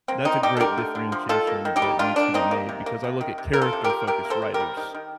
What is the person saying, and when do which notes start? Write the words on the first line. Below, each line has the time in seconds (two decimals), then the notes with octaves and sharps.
That's a great differentiation that needs to be made, because I look at character focused writers
0.08 A#3 C4
0.25 D#3 C4 D#4
0.43 G3 D#4 G4
0.57 A4
0.60 D3 G4 A#4
0.78 A3
0.95 D3
1.12 F3
1.29 D#3 F4 A4
1.47 A#3
1.65 D#3
1.76 D#4 G4
1.82 G3
1.99 D#3 D4 F4
2.16 D#3 D4
2.34 A#3 C4 D#4
2.51 A#3
2.69 C3
2.86 A#3
3.04 C3
3.21 D#3
3.38 C3
3.53 A#3 A#4
3.62 F4 A4
3.73 C3
3.84 G4 A#4
3.90 F3
4.07 C3 G4 A#4
4.25 A#3
4.30 A4 C5
4.42 C3
4.54 G4 A#4
4.60 G3
4.77 D#3
4.94 D#3